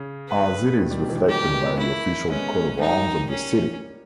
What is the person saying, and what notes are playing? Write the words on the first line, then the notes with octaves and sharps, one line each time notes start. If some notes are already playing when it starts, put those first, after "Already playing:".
As it is reflected by the official coat of arms of the city.
Already playing: C#3
B4
B2 D#3
D#3 G3
B2 D#3
E3
D#3 G3
G3 A#3 G4
A#3 C#4
G#3 B3
G#3 B3
A#3 C#4 E4
G#3 B3 C#4
G3 A#3 D#4
C#4